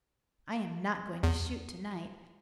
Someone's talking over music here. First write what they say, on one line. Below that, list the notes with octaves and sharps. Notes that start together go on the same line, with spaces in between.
I am not going to shoot to-night.
E2